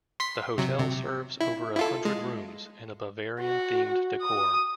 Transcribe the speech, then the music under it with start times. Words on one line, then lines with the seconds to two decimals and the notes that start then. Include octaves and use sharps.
The hotel serves over a hundred rooms in a Bavarian themed decor.
0.20 C6 B6 C7
0.58 C3 F#3
0.78 C3
1.41 E4
1.77 E4 F4 A4
2.05 G#3
3.40 F#4
4.22 D#6